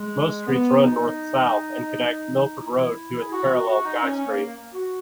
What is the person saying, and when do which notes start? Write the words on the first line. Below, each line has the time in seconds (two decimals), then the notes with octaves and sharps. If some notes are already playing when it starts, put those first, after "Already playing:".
Most streets run N-S and connect Milford road to its parallel: Guy Street.
Already playing: G#3
0.47 B3
0.82 D#4
2.60 E4
3.18 G#4
3.31 F#4
3.49 F#4
3.67 F#4
3.85 D#4
4.03 C#4
4.26 A#3
4.74 F#4